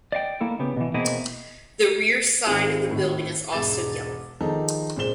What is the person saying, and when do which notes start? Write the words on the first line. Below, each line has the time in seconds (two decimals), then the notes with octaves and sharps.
The rear side of the building is also yellow.
0.12 D5 D#5 F5 G5
0.41 A#3 E4 A4
0.59 C#3 B3 G4
0.77 B2 E3
0.94 B2 A#3 C4 E4 G#4 D#5
2.46 G#2 D#3 C4 E4 F4 G4
2.89 G#1 A2 D#3
3.52 E1 G#2 D6 A6 E7
4.41 D#3 F3 D#4 G#4 A4
4.96 C#2 A#2 G#3 C5 E7 G7